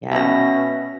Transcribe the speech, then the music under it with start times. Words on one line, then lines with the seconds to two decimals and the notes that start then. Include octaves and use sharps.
Yeah, m
0.12 B2 C#4 E5 A#6